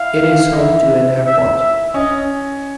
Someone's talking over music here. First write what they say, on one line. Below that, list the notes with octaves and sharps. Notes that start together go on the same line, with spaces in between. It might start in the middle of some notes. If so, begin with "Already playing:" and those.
It is home to an airport.
Already playing: E4 F5
D#4
E4
E5
E5
C#4 D#5